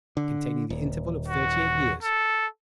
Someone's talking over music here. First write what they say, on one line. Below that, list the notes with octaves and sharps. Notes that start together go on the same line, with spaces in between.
Containing The Interval Of Thirty-Eight Years.
D3
D#1
F#4
A4